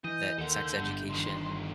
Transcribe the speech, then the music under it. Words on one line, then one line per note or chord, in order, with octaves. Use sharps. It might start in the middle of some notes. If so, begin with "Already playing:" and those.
that sex education
E3 D#5 G6
D#2 A4 F#5
G1 G2
D3 D#3 C6